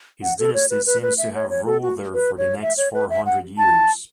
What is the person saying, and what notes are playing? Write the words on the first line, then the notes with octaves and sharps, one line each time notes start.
His dynasty seems to have ruled there for the next four hundred years.
F#5
A4
C#5
B4
B4
B4
E5
C#5
C#5
A4
F#4
B4
C#5
E5
C#5
B4
E5
F#5
A5